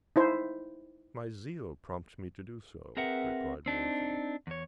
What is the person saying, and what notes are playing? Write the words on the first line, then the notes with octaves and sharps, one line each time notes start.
"My zeal prompts me to do so," replied Wolsey.
D#4 E4 C5
C4 G#4 A#4 B4 E5 F#5
C4 D4 D#4
E2 C#5